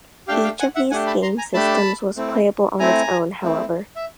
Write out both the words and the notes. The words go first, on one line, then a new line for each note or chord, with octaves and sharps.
Each of these game systems was playable on its own, however.
A3 D4 G4 F5 G5
F5 G5
F#5 G#5
E5 F#5
A3 D4 G4 F#5 G#5
A5 B5
A#5 C6
G#5 A#5
A3 D4 G4 A5 B5
A3 C4 E4
A3 C4 E4 G#5 A#5
A3 C4 E4
E5